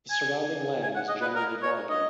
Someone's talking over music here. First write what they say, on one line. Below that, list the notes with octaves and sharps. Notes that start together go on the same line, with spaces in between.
The surrounding land is generally boggy.
G#5
G#5
F#5
D#5
B4
A#4
C#5
D#5